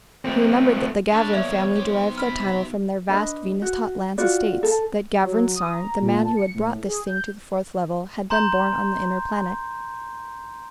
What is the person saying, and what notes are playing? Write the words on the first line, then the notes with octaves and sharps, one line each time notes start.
He remembered that the Gavran family derived their title from their vast Venus hotlands estates; that Gavran Sarn, the man who had brought this thing to the Fourth Level, had been born on the inner planet.
A3 C4
A3 D4 B4 C#5
B1 E2 A#3 C#5 D5 E5 F7
G4 C5
B5 F6
D4 B4 D#5
F#4
F4 F#4 D5
A4 A5
F#3
D#6
A#5
A#2
A5
C#7
A2
G#4
G6
A#5 C6 G6